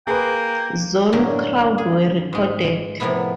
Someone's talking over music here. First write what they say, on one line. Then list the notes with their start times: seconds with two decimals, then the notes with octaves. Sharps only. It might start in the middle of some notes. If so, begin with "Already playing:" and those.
Zone crowd were recorded.
0.07 A#3 G#4 B4 G5
1.12 F#2 A2 D3 A#3 C#4 A#5
1.78 G#4
2.33 G#2 G#3
3.00 A2 C3 F3 A#3 B3 E4